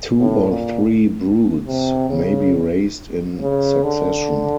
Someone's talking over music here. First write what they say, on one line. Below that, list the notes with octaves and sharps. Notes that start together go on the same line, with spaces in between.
Two or three broods may be raised in succession.
A2
A#2
C3
C#3
C#3
D3